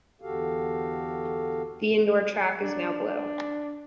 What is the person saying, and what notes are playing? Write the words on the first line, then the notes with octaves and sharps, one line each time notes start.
The indoor track is now blue.
E2 D3 F#4 G4 A4 F5
D4